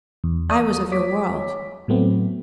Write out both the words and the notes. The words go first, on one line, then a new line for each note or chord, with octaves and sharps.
I was of your world.
E2
D5 D#6
C#5 D6 B6
A2 F#3 A3 B3 C4